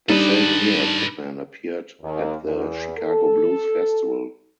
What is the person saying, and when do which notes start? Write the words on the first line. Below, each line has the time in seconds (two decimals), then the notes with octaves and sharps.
The same year Pittman appeared at the Chicago Blues Festival.
0.09 G3 D4 D#4 A4 B4
2.02 D#2
2.44 E2
2.98 A4